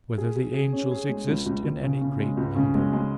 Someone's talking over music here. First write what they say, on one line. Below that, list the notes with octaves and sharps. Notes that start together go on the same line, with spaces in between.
Whether the Angels Exist in Any Great Number?
G#4
G#4
G#4
C#4
G#4
G#3
C#2
C#2
C#2
C#3
C#3
G#3
C#2
C#3
G#3
G#3